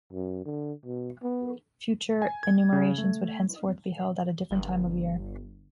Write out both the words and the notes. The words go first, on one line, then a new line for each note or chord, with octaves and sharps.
Future enumerations would henceforth be held at a different time of year.
F#2
D3
B2
B3
G#5
G#6
C#3
A3
G1